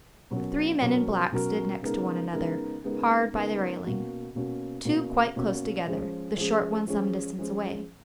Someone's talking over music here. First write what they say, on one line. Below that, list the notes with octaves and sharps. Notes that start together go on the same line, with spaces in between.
The three men in black stood next to one another hard by the railing, two quite close together, the short one some distance away.
B2 F#3 C#4 F#4 A#4
B2 F#3 C#4 F#4 A#4
B2 F#3 C#4 F#4 A#4
C#3 G#3 B3 D#4 A#4
C#3 G#3 B3 D#4 A#4
C#3 G#3 B3 D#4 A#4
C#3 G#3 B3 D#4 A#4
B2 A#3 C#4 F#4
B2 A#3 C#4 F#4
B2 A#3 C#4 F#4
B2 A#3 C#4 F#4
F3 G#3 C#4 G#4
F3 G#3 C#4 G#4
F3 G#3 C#4 G#4
F3 G#3 C#4 G#4